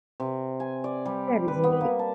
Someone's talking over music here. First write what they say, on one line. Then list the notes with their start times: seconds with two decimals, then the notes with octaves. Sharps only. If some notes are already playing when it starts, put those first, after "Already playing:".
That is neat.
0.20 C3
0.60 G#5
0.84 D5
1.05 G3
1.48 B4
1.64 B3
1.81 A#3
1.99 A5